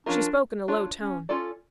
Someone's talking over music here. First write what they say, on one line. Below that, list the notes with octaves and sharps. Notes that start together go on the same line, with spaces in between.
She spoke in a low tone.
F3 C#4 D4 F4 A#4
D4 F4 C#5
C#4
C#4 F4 A4 D5